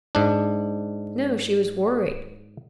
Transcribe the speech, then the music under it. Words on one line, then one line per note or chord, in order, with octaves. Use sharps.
"No--she was worried."
G#2 D4